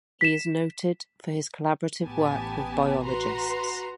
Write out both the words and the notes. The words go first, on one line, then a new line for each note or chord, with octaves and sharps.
He is noted for his collaborative work with biologists.
B6 E7
A1 B3 G4 G#5 A5
F#4 B4 A#5 C6